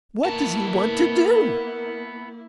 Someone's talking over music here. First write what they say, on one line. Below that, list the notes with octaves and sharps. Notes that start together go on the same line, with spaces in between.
"What does he want to do?"
A#3 B3 E4 A#4 A5